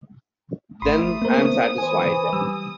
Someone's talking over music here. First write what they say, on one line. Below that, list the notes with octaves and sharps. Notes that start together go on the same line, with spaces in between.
Then I am satisfied.
G#1 A3 B5 C6 D#6
A#3 B3 A#4 C5
E3 C5 G#5
G3 E6